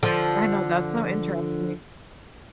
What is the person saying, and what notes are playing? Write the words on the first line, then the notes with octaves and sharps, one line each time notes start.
I know, that's so interesting.
D3 F3